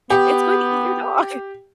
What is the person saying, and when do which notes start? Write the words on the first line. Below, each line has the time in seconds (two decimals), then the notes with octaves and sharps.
It's going to eat your dog.
0.10 B3 G4